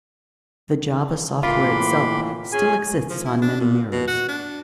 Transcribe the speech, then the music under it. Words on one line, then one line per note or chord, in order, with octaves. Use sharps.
The Java software itself still exists on many mirrors.
A2 E3 A#3 F4 B5 C6 D6
C#4 G#4 G#5
F3
E4
D4
A#2
B2
F#4
D4